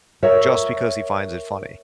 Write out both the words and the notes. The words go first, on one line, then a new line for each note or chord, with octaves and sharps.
just because he finds it funny.
A#4 C#5 E5